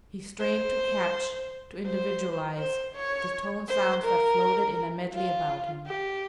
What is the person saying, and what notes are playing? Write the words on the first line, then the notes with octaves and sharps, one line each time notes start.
He strained to catch, to individualise the tone sounds that floated in a medley about him.
C5
C5
C5
C#5
C5
A#4
F4
G4